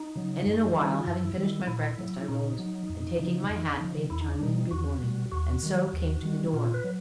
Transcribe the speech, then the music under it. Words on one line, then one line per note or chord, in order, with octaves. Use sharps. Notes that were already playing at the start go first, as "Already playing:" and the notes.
And in a while, having finished my breakfast, I rose, and, taking my hat, bade Charmian "Good morning," and so came to the door.
Already playing: D#4
C#3 F#3
F#2
D#3 G3
F#4
F4
F#2 E4
D#3 G3
A#2 E4
F#3
E4
A#2 D#4
F#3
F2
C#3 F3
F2
C#3 F3
E2 E4
D#4
D4
B2 G3 D#4
E2 F#4
B2 G3
D#2 F#4
D#3 G3
D#2
D#3 G3
A#2 F4
B4
F#3